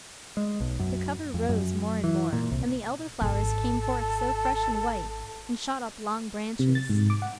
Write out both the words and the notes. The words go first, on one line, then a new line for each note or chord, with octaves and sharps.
The cover rose more and more; and the Elder-flowers came forth so fresh and white, and shot up long branches.
G#3
B1
F#2
F2
F#2
E3
A#2
C2
G#1 A4
C3
A6
G#2
D6
F#5